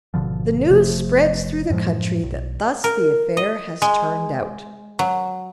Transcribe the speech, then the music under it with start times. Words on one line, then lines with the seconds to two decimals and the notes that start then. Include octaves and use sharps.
The news spreads through the country that thus the affair has turned out.
0.14 G#1 B2 D3 F3
0.69 F#1 C3 F3 A3
1.70 F#2 A2 F3 G#3
2.23 B1
2.84 A#4
3.37 D#5
3.82 G#3
4.99 F#3